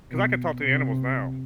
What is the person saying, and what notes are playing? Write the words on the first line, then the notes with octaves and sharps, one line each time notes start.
cause I could talk to the animals now,
B2
C3